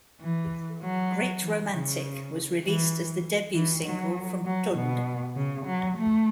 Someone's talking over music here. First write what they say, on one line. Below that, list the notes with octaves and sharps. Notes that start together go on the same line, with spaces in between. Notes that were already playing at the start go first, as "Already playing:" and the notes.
"Great Romantic" was released as the debut single from "Tunde".
E3
F#3
E3
C#3
E3
E3
F#3
F#3
B2
C#3
F#3
A3